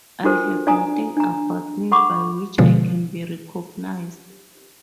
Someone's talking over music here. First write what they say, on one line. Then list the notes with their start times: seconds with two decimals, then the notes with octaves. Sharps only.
I have nothing about me by which I can be recognized.
0.24 D4 F4 F#4 A4 A#4 C5
0.67 D4 D5 F5 G#5 A#5 D#6
1.17 D4 A#5
1.92 A4 F#5 B5 C#6 D6
2.58 B2 D3 F3 G#3